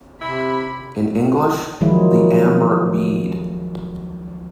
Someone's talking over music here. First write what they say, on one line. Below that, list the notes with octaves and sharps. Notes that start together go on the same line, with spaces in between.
In English, The Amber Bead.
C3 E4 B5
D#3 F3 F#3 G#3 E4